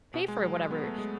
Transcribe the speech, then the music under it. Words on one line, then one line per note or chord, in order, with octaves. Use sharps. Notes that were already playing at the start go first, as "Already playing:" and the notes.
pay for whatever
B2
G#3
F#3
G#3
B3
A3
G#3